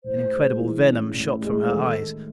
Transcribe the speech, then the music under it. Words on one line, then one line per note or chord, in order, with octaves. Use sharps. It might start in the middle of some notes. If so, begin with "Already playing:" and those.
An incredible venom shot from her eyes.
A2 C5
G#3
E3
C#4
A2
G#3
C5
D#3 A4
A3